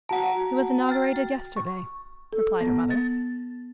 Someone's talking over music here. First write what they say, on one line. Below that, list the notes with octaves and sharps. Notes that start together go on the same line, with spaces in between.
"He was inaugurated yesterday," replied her mother.
F#4 F#5 A5 A#5
G5 F6 A6
C#6
A4
B3
A6